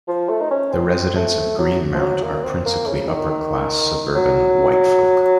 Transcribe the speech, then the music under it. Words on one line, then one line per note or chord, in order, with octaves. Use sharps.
The residents of Greenmount are principally upper class suburban white folk.
F3
A3
D#4
C#4
C4
A3
F#3
F3
F#3
A#3
C4
A#3
C#3
D#3
D#3
F#3